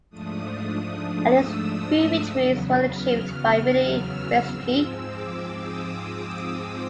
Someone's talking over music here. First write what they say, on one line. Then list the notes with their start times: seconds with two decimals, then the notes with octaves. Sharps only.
At least three victories were achieved by Willi Reschke.
0.10 G#2 F3 A3 D4 D#6
1.19 E6
2.29 E2 C#3 F#3 B3
2.84 F6
3.94 E6
4.48 G#2 F3 G#3 C4 E6
5.04 D6
5.58 D#6